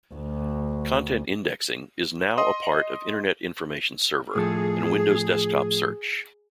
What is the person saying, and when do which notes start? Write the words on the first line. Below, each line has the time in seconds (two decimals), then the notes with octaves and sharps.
Content Indexing is now a part of Internet Information Server and Windows Desktop Search.
0.15 D2
2.38 D#5 C6 D#6
4.35 A2 F3 G#4 A4